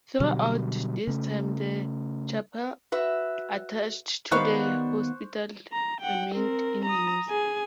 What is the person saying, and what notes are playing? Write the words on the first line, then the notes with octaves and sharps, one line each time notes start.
Throughout this time the chapel attached to the hospital remained in use.
B2 D3 F#3 G3
C#3 A3
F#4 B4 E5
D#3 B3 G4 C5 D5 F5 C#6 F#6
A#5
F#5 G5
C4 A#4
A#5 D#6
G#4 G#5